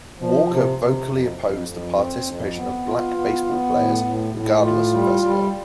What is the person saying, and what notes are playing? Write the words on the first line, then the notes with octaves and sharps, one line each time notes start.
Walker vocally opposed the participation of black baseball players regardless of their skill.
F3
C3
C3
F2
F2
F2
C4
F2
B3
F4
B3
B3
A2
A2
A2
F4
G3
G3